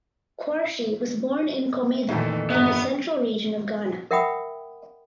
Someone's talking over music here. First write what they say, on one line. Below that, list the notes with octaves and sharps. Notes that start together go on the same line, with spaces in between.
Quarshie was born in Komeda in the Central Region of Ghana.
F2 A#2 D#3 E3 A3 D#4 E4 A4
G2 B3 E5 A#5
A#4 E5 F#5 G5 B5 D#6